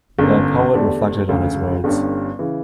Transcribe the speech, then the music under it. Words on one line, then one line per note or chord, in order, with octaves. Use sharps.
The poet reflected on his words.
G1 F#2 D3
E2 D3 A3 D4 G4
E1 D2 C#3
G1 G2 D3 G3 C#4
C#3 E3